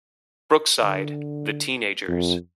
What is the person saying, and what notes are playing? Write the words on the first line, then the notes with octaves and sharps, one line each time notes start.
Brookside: The Teenagers.
D3
F2